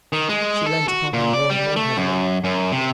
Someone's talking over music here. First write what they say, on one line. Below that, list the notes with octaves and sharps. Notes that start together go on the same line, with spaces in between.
She leant upon him more and more heavily.
D#3
G#3
A4
F#4
A#2
D5
G3
A3
F#2
F#2
C3